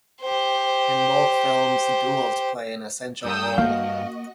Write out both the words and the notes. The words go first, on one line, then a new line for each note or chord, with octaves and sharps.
In both films, duels play an essential role.
G4 C5
G2 D#6 E6 G6
A#3 F#4 D#5 F5